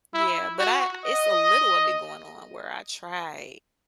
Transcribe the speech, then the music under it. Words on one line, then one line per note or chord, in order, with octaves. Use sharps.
yeah, but I it's a little of it going on where I try
E4
F#4
D#5